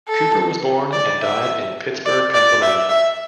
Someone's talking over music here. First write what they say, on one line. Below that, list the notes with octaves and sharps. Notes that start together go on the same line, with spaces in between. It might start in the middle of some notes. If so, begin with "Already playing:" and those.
Cooper was born and died in Pittsburgh, Pennsylvania.
A4
D5
E5
D5
D5
E5
E5